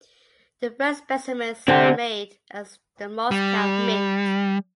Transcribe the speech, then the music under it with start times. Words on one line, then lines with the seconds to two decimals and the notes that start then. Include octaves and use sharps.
The first specimens were made at the Moscow Mint.
1.68 D3 C4 G4
3.31 G3